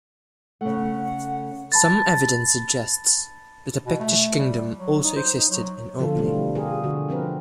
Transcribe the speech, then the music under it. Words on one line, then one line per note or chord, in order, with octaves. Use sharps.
Some evidence suggests that a Pictish kingdom also existed in Orkney.
C#3 A3 F#5
A5 B5 A6
B2
A3
G3
F#3
D#4
C5
D#4
F#3
B2 D3 F3 F4 A4
E3 G3 A3 C4 D4 F4
F4 G4 G#4 A#4
D3 F#4
F3 C4 A#4 B4